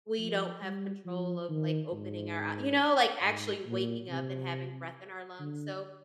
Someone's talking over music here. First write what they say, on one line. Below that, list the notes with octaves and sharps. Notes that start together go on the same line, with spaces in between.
we don't have control of, like, opening our eye you know, like, actually waking up and having breath in our lungs, so,
F3
G3
F3
D#3
G#2
G#2
A#2
C3
D3